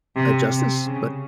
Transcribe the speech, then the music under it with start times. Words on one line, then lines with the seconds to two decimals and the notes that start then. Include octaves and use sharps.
a justice, but
0.16 C3
0.51 C3
0.85 C#3